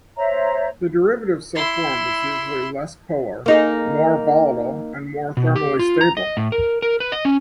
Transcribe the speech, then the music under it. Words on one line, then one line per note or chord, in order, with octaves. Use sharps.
The derivative so formed is usually less polar, more volatile and more thermally stable.
C5 C#5 E5 A#5
E4 C6
A#3 D#4 G#4
B2
G4
F4
A#5
D#5
A2
A#4
A#4
B4
D#5
C#4